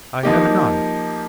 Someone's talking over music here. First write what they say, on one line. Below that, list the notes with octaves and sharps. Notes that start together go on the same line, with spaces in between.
"I have none."
F3 A#3 D#4 G4